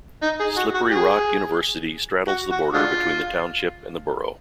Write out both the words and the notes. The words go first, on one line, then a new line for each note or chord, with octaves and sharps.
Slippery Rock University straddles the border between the township and the borough.
D#4
G#4
F#4
F#4
G#4
F#4
F#4
G#3 D4 F4